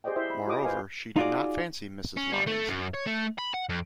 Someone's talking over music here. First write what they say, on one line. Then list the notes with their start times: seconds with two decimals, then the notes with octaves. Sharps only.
Moreover, she did not fancy Mrs. Lyons.
0.04 G4 G#4 C5 D5 D#5 G5
0.16 E4 C5 E5
0.30 B5
0.47 F4 G4 G#4 D#5 D6 D#6
0.65 B4 C5 D#5 F5 G#5
1.16 D#4 F4 F#4 G#4 D5
2.17 C#4
2.32 G3
2.47 A3
2.69 F#2
2.95 C#5
3.07 A3
3.39 B5
3.54 F#5
3.69 F2